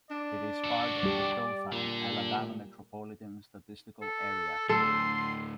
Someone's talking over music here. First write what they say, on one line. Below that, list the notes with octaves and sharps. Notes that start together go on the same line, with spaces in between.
It is part of the Dothan, Alabama Metropolitan Statistical Area.
D4 D5
F#4 A4
G3 G4
A#2 D3
A4
D2 A2 A4 C6